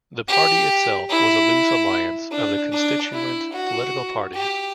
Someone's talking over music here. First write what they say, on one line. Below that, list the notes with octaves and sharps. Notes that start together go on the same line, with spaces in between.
The Party itself was a loose alliance of the constituent political parties.
G4
E4
D4
D4
E4
F#4
G4